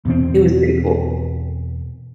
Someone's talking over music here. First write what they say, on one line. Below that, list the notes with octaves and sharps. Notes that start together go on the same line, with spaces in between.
it was pretty cool.
E2 B2 C4